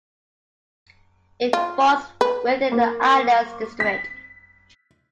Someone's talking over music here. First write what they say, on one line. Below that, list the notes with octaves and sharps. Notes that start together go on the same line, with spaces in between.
It falls within the Islands District.
F4
B4
A#3
B6